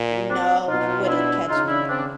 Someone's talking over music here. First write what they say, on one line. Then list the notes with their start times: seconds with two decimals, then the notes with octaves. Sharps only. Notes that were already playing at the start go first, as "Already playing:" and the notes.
No, you wouldn't catch me, no.
Already playing: A#2
0.28 C4 D4
0.68 B2 D#4 F4
1.04 F4
1.08 D4 E4
1.48 C#3 D#4 F4
1.68 D4 E4
1.88 C4 D4